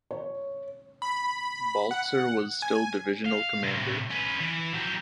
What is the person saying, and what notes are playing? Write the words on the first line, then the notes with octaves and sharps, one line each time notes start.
Baltzer was still divisional commander.
C#5
B5
F#5
G#5
F5
A2 C3
C#4 B4
E3
F#3 G4